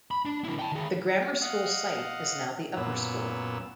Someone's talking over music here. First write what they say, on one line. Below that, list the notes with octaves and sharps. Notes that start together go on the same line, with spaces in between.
The grammar school site is now the upper school.
B5
D4
D3 E4
G5 A5
D#3 G#4
D#5 F5 F#5
F#2 A#2 B3 E6